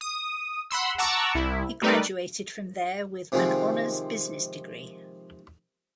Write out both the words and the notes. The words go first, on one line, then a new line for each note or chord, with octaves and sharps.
He graduated from there with an Honours Business Degree.
D#6
F#5 B5 C6 E6
F#5 A5 A#5 C#6 D6 E6
C2 E4
G3 A3 D#4 A#4 B4 D5
C3 D#3 F3 G#3 C4